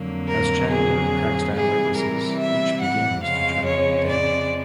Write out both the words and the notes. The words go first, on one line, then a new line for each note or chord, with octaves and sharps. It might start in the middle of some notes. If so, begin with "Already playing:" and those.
As Chandler tracks down witnesses, each begins to turn up dead.
Already playing: F2 D3 F#3 A#3
A#4
G#4
C3 E3 G3 G#4
A#4
E5
F#5
F2 C#3 F3 G#3 F5
C#5
D5